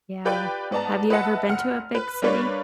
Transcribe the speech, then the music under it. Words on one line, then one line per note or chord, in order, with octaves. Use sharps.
Yeah. Have you ever been to a big city?
F4 G4 B4 D5 G5
G#2 B3 D5 A5 A#5
B4 D#5 E5 F#5 A5
F1 F#5 F6
B4
G3 A#3 D4 B4 C#5 D5